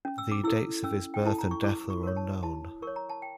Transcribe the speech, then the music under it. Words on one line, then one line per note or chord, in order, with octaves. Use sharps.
The dates of his birth and death are unknown.
C#4
E6
D6
E4 A4 E6
C#4 E6
G5
E4 A4 A5
A#5
C#6
E4 D6
C#6
A#4 C#5
A5
E4 A5
A#4 C#5 C#6
A#5
A5
G5